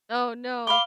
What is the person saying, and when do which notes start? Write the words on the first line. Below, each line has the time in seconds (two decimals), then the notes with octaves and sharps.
Oh, no.
0.67 F5 B5 D6 G7